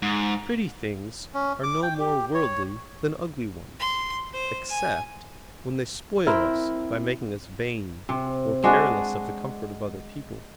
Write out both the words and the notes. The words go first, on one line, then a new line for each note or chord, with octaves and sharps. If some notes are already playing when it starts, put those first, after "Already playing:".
Pretty things are no more 'worldly' than ugly ones, except when they spoil us by making us vain, or careless of the comfort of other people.
G#2
C#4
D6
G5
G4
C#5
C6
C5
G#5
C4 E4 A#4 G5
C3
G#3 D4 F#4 D5